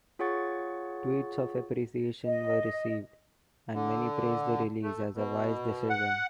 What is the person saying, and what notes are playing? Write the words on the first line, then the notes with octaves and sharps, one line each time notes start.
Tweets of appreciation were received and many praised the release as a wise decision.
F4 G#4 C#5 F#5 C#6 A6
D#5
D3
A3
B2
F#5